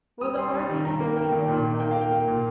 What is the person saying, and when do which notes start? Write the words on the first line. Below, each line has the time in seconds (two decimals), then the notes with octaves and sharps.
Was it hard leaving your people there, though?
0.21 G3 D#6
0.37 G3 C6
0.53 G3
0.70 D#3
0.85 D#3 A#5
1.00 A#3
1.17 A#3 G5
1.32 D#3
1.48 A#2
1.64 A#3
1.80 A#3 G5
1.91 F5
1.97 A#3 G5
2.12 A#3
2.28 A#2